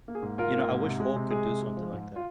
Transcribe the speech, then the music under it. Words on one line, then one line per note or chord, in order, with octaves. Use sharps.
You know, I wish Hulk could do something like that.
A#3
G#4
G#2
G#2 F4 A#4
A#3
G#2
C3
G#3
C3
G#3 G#4
C3
G#3
F3
G#2
F4